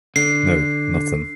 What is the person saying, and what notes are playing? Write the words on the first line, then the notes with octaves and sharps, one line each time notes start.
No nothing.
D3 C7